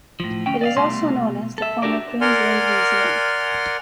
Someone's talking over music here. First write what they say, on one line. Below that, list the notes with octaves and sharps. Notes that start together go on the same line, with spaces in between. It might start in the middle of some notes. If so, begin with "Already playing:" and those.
It is also known as the former Queensland Museum.
A2 F3
D2 C#4 G5
D5 D#5 F5
C2 B2 A3 C6
A4 E5
D4 D#4 F#4 G4 A#4 D5
A#4 D5 F#5 G#5 C6 F6